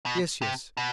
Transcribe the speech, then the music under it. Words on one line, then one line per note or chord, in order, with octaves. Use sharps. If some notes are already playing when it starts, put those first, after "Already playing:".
Yes, yes.
B2
C3
B2